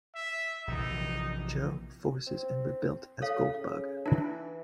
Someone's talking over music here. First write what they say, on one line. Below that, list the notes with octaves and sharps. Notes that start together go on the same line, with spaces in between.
Joe forces and rebuilt as Goldbug.
E5
A#1 C3 E3 D#4
C4
A2 A4 C#5 F5
C#3
E3 D4 E4